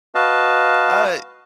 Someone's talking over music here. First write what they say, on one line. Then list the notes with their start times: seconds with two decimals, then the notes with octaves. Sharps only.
uh, it
0.15 F#4 B4 D#5 F5 A5